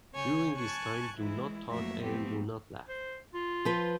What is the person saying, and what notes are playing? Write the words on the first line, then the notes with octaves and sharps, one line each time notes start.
During this time do not talk and do not laugh.
C#3 C#5 G#5 G6
G#5 A5 C#6 F#6 G#6
E3 G#3 E4
F#2 F3 A3 A#3 F#4 E5
F3 A3 B3 C4 G4
C5
F4
F3 B4